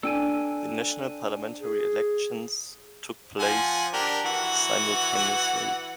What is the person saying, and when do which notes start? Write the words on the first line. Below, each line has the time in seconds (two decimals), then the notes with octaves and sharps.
The national parliamentary elections took place simultaneously.
0.03 D4 A4 G5 G#5
1.60 G#4
3.39 F3 F#5 G#5
3.93 D4 G4 A#4
4.26 E3 F#4 F#5